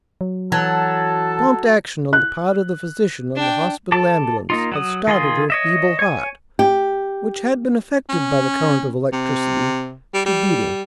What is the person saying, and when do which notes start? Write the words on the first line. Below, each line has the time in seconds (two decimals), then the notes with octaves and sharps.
Prompt action on the part of the physician on the hospital ambulance had started her feeble heart, which had been affected by the current of electricity, to beating.
0.21 F#3
0.52 E3 F#3 A4 A5
2.13 F#6
3.36 D4 G5
3.92 A4 A5 D6
4.50 A#3 D#4 F4
4.72 F#3 F#4 D#6
5.07 D#3 F4 G#4 C6
5.50 C#5 D#5 E5
5.99 C#5 G#5
6.59 G4
8.09 C#4
9.12 C3
10.14 G3
10.26 G3